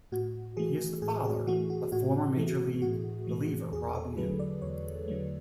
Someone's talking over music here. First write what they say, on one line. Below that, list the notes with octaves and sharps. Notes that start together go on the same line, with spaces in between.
He is the father of former major league reliever Robb Nen.
A2 F#4
E3 A3 G#4
A2 G#4
G#4
E3 A3 F#4
F#4
A2 F#4
E3 A3
A2 F#4
E3 A3
E2 G#4
A4
D3 F#3 A3 B4
D5
E2 C#5
D3 F#3 A3